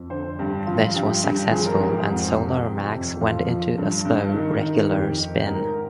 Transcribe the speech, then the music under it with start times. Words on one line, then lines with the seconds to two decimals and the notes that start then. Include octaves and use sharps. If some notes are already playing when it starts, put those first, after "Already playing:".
This was successful, and Solar Max went into a slow, regular spin.
Already playing: F2
0.10 D3 C5
0.39 G2 G4
0.66 F3 F4
0.95 G2 G4
1.23 G2 G4
1.51 F3 G#4
1.66 A#4
1.80 G#2 G4
1.95 G4
2.08 F2
2.36 C3
2.64 F2
2.93 F2
3.21 F3 F4
3.49 F3
3.78 G2
4.05 G2
4.34 D#3
4.63 D#3
4.90 F2 G4
5.19 D#3
5.46 G#2 A#4